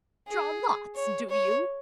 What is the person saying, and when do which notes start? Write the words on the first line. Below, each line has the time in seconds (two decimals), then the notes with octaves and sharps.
Draw lots, do you?
0.28 G#4
0.95 C#5
1.29 C#5